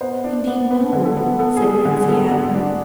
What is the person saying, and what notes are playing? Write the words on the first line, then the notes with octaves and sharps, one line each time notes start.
"Indeed, no!" said Nancy Ellen.
B3 C5
D4
B3
B3 B4
D3
A4
B3
B3 A4
G#4
G3
G#4
D3
G#4
B3 A4
D3
D4